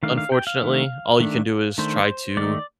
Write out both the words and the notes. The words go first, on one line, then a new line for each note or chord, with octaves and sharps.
unfortunately. All you can do is try to
D#3 A3 D4 F5
F5
G5
F5
D#3 A3 D4
D#3 A3 D4
D#3 A3 D4 C5
D#3 A3 D#4 D5